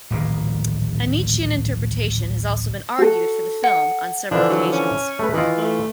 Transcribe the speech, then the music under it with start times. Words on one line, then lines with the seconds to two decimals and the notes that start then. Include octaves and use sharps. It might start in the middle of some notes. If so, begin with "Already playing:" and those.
A Nietzschean interpretation has also been argued for the film on several occasions.
0.11 D1 A#1 D#3 G#3
2.98 F#4 A4
3.64 F#5
4.31 D3 E3 F3 D4
4.50 F#3
4.72 C#4
5.19 A3 B4
5.34 D#3 E3 F4
5.58 A3